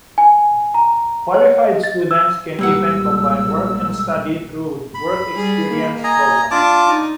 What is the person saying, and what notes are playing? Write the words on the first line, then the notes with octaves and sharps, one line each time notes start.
Qualified students can even combine work and study through work experience programs.
G#5
A#5
C#5
D#5
A6
E6
B1 A#2 G3 G#3 A#3 F#5 E6
B5
G3 G#4
A#3
D#5 G#5 A#5
D4 F4 A5 D6
D#4